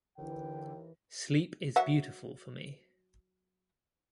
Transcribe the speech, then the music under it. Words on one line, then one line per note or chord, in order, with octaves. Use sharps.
Sleep is beautiful for me.
D#2 D3 E3 G5
F#3 E5 F#5